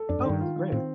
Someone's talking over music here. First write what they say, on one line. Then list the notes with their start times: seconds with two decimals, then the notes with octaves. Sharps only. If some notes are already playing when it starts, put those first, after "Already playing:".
Okay, great.
Already playing: A4
0.09 F2 D4
0.19 G2
0.24 D#3
0.29 G2
0.41 F4
0.56 D#3
0.72 A2 C4